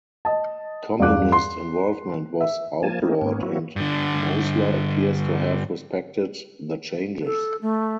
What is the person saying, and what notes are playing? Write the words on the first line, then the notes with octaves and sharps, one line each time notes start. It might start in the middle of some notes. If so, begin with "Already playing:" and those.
Communist involvement was outlawed and Mosler appears to have respected the changes.
D#5 A5
E2 G2 C#4 F5 D6 F#6
C6
E5
F3 A#3 G#5 A5
A3 A#3 C#4 D#4
G#2 A#3 B3 C#4
F#3 A#3 C4 E4 F#4
G2 D3
A4
A3